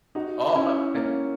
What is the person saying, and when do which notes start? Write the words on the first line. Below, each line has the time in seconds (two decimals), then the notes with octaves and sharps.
Oh, okay.
0.15 D#4 F#4
0.55 C#4 E4
0.95 A#3 C#4